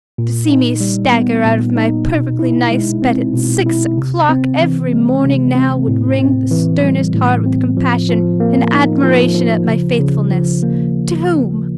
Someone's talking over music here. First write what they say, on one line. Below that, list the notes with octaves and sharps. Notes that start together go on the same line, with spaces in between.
To see me stagger out of my perfectly nice bed at six o'clock every morning now would wring the sternest heart with compassion and admiration at my faithfulness--to whom?
A#2
D#4
G3
B3
A#2
D#4
B2
E4
G#3
C4
B2
E4
C3
C4
E3
G#3
C3
C4
A2
C4
E3
G3
A2
C4
F3
F3
A#3
D#4
F3
F3
C#3
C#3
F3
A#3